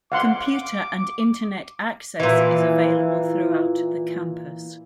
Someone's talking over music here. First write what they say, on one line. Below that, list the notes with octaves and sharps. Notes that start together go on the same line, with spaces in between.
Computer and internet access is available throughout the campus.
F5 F#5 C6 D6
A#2 E3